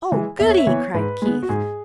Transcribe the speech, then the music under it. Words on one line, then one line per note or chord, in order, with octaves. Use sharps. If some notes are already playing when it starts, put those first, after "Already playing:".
"Oh, goody!" cried Keith.
E3 G#3
E2 E5
C#5
E5
E3 B3 C#5
G#2 B4
G#3 B3
F#4
G#2 G#4